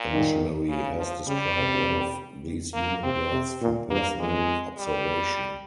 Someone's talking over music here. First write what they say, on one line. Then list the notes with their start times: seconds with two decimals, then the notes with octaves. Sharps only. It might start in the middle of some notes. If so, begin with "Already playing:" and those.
A missionary has described one of these human gods from personal observation.
Already playing: A#2
0.11 D#3
0.69 C#3
0.98 F3
1.28 C#3 G3
1.57 C3
2.74 A#3
3.03 C3 C4
3.32 C3
3.62 A#2
3.90 G2 A#3
4.19 F2 G#3
4.78 G3